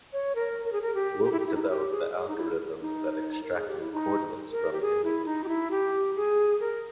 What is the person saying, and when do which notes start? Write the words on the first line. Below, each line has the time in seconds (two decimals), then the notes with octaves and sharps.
Wolf developed the algorithms that extracted coordinates from images.
0.13 C#5
0.35 A#4
0.65 A#4
0.73 G#4
0.82 A#4
0.94 G4
1.24 G4
1.32 E4
1.39 G4
1.46 E4
1.55 D#4
1.62 E4
1.70 G4
1.91 G#4
2.14 G#4
2.28 D#4
2.36 E4
2.81 D#4
3.43 A#4
3.55 G#4
3.68 G4
3.80 E4
3.92 D#4
4.52 A#4
4.73 G4
4.81 G#4
5.04 E4
5.26 D#4
5.44 G4
5.48 E4
5.71 G4
6.16 G#4
6.60 A#4